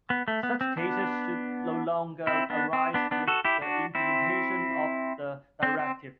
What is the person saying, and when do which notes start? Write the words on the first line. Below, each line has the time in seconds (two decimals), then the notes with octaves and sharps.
Such cases should no longer arise with the implementation of the directive.
0.10 B3
0.28 A3
0.43 B3
0.61 C4
0.77 B3 D4
2.27 C4 E4
2.50 B3 D4
2.73 C4
2.94 B3 D4
3.11 B3 D4
3.28 F#4 A4
3.45 E4 G4
3.61 D4 F#4
3.95 C4 E4
5.63 C4
5.79 C4